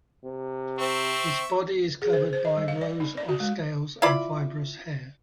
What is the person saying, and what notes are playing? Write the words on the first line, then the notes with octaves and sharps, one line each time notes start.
Its body is covered by rows of scales and fibrous hair.
C3
C4 E5 C#6
G#4
C5
C5
D#5
G3
F5
D5
D#4
D5
F#4
G#3
E4 F4 D5 B5